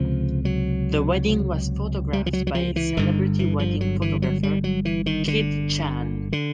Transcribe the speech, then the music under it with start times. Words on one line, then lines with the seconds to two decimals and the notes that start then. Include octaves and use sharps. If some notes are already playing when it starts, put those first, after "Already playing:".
The wedding was photographed by celebrity wedding photographer Kid Chan.
Already playing: C#2 C3 F3
0.45 F#3
2.13 G3
2.26 F3
2.33 F#3
2.47 F#3
2.55 F3
2.76 E3
2.97 G1 G2 D3 D#3
3.39 E3
3.59 F3
3.81 F#3
4.02 E3
4.22 F#3
4.43 G3
4.64 F#3
4.85 E3
5.06 D#3
5.28 D3
6.33 D3